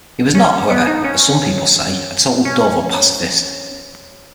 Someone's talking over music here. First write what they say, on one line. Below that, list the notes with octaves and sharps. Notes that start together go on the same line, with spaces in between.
He was not, however, as some people say, a total dove or pacifist.
C#4
B3
D#4
C#4
C#4